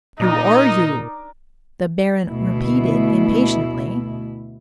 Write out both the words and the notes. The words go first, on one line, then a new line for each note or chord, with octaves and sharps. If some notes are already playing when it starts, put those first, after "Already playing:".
"Who are you?" the Baron repeated, impatiently.
A#2 D4 D#4 A#4 D5 D#5
D2 B2 E4